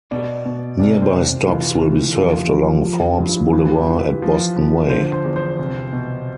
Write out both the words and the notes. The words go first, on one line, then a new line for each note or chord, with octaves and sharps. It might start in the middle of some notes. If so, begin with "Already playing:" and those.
Nearby stops will be served along Forbes Boulevard at Boston Way.
B2 D5
B2
C2 D5
C5
C2
E3 F4
F4
E3
E4
F3 F4
G4
F3
F4
F3 F4
F4
G2
F4
E4
E3 F4
G4
E3
B4
F3
F3
D3 C5
C5
E2
C5
C2
B2